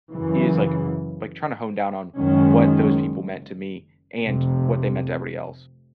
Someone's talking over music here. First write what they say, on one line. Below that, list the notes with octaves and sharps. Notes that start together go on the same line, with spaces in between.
is like like trying to home down on what those people meant to me, and what they meant to everybody else.
F#2 C#3 E3
F#1 F#2 D#3 G#3 C#4
F1 F2 C3